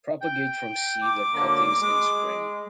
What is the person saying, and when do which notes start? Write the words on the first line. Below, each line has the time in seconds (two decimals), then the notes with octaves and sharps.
Propagate from seed or cuttings in spring.
0.22 G5
1.03 D6
1.34 D3 F#3 A#3
1.80 G#3